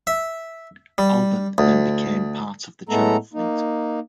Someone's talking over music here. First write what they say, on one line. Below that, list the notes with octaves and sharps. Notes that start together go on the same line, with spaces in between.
"Albion" then became part of the Channel Fleet.
E5
G3
D2
A2 G#3 A3 B3 A4 A#5
A#3 D#4